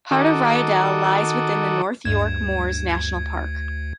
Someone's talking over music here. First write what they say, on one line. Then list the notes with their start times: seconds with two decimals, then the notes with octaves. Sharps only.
Part of Ryedale lies within the North York Moors National Park.
0.11 D#3 F#4 A4 D6 D#6
2.05 D2 G2 G#6 E7